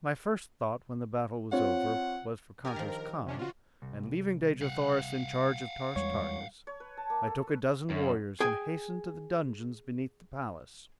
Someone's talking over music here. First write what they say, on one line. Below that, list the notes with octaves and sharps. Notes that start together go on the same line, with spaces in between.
My first thought when the battle was over was for Kantos Kan, and leaving Dejah Thoris in charge of Tars Tarkas I took a dozen warriors and hastened to the dungeons beneath the palace.
C4 F4 C#5 F#5
G4 A#4 D5 G#5
D#3 F3
C3 C#4 D4
F4 F#4
C2
F5 F#5
E2 G3 G#3 C#5
C#5
B4
A5
A#3
A4
B4
F#2
G#4 G5 G#5